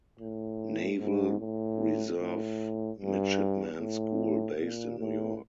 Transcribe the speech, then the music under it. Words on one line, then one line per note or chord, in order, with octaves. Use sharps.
Naval Reserve Midshipmen's School, based in New York.
A2
G#2
A2
A2
G2
A2
A#2
A2